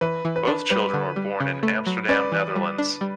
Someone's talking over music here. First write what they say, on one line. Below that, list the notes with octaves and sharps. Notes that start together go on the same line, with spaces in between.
Both children were born in Amsterdam, Netherlands.
E3 B4
E3
B4
D4
G3 B4
D3
G3
C#3
A3
F#3
C#4 B4 D5
E3
G3
D4
G3